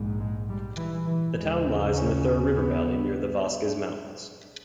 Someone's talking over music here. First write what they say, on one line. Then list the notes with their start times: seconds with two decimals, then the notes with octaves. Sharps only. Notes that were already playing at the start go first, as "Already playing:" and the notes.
The town lies in the Thur River Valley near the Vosges mountains.
Already playing: A#1 G#2
0.19 G#3
0.48 G3
0.77 E3
1.06 E3
1.35 D#2 C#3 G#3
1.94 C#4
2.52 B3